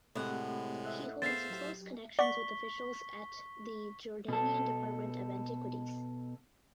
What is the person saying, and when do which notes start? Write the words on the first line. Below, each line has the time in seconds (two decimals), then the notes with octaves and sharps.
He holds close connections with officials at the Jordanian Department of Antiquities.
0.15 A2 C3 G#3 A3 C4 G4 F#5
0.85 D#5 E5 F#6
1.22 B3 G#4 C5 E5 F5 A6 C7
1.50 F#3 G4
2.19 D5 F#5 C#6 B6 G7
4.28 B2 A4